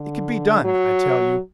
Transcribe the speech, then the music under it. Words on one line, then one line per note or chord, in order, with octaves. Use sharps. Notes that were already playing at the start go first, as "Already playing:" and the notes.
It could be done, I tell you.
Already playing: D3
F#3